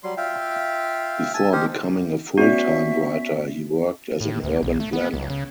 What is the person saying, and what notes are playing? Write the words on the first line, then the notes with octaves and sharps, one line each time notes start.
Before becoming a full-time writer, he worked as an urban planner.
F#3 G3 C6
F4 E5 F5 G5
G#5 A5 E6
D#4 G4 A#4 C5
B3 C#4 F#4 D5 E5
A2
D2
B1
A3
B3
C#2
C#3